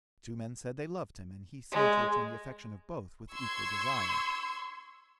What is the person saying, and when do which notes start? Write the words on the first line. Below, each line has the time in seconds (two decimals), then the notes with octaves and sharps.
Two men said they loved him, and he seemed to return the affection of both with equal desire.
1.72 G#3
3.33 C6 C#6 E6 G#6